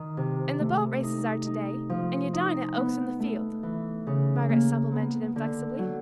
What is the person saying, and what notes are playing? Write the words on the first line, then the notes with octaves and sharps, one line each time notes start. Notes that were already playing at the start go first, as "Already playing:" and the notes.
"And the boat races are to-day, and you dine at Oaks-in-the-Field," Margaret supplemented inflexibly.
Already playing: D#3
C3
A3
D#4
D#4
F3
D#4
B3
A3
E3
C#3
A#3
B3
D3
F#3